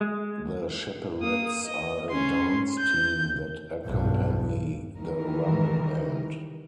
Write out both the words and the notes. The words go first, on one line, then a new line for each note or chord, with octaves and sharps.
The Chapellettes are a dance team that accompany the Rummel Band.
G#3
A#3 D#6
D#5
C#4 C6
G6
B1 G2
D#3 E3 G3 A#4